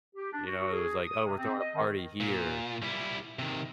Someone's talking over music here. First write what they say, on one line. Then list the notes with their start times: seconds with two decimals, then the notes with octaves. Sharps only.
You know, it was like, "Oh, we're throwing a party here,"
0.15 G4
0.33 D4
0.46 F#4
0.72 G#4
1.05 D#6
1.25 C3
1.38 C4
1.59 D#5
1.76 D#3
2.20 A#2
2.82 G3 E4
3.39 C3 D#3